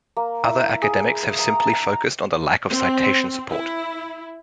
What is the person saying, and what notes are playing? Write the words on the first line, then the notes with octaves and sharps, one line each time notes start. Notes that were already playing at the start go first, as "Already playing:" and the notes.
Other academics have simply focused on the lack of citation support.
A#3
E4
G#4
A#5
A5
A#5
C4
E4